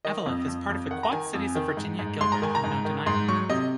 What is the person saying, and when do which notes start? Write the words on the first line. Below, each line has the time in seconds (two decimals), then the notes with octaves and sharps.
Eveleth is part of the Quad Cities of Virginia, Gilbert, and Mountain Iron.
0.05 D#3 D#5
0.26 F2
0.48 F2
0.69 F2
0.91 D#3 F#5
1.03 A#5
1.12 D#3 G#5
1.34 F2
1.55 D#3
1.77 G#2
1.99 G#2
2.21 G#2 C6
2.32 A#5
2.42 D#3 G#5
2.55 A#5
2.64 G#2
2.85 D#3
3.06 G#2 C6
3.28 F#3 C#6
3.50 C3 D#5